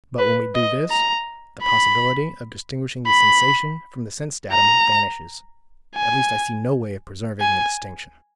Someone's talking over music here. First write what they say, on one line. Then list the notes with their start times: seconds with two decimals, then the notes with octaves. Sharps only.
But when we do this, the possibility of distinguishing the sensation from the sense-datum vanishes; at least I see no way of preserving the distinction.
0.19 B4
0.55 D#5
0.91 A#5
1.63 B5
3.07 B5
4.52 A#5
5.96 G#5
7.40 G#5